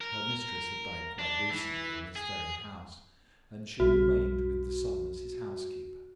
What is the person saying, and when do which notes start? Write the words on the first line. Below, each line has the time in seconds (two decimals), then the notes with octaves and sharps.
Her mistress had died quite recently in this very house, and she remained with the son as his housekeeper.
0.01 A#4
1.19 D4
1.50 E3
2.16 G#4
3.80 B1 G3 F#4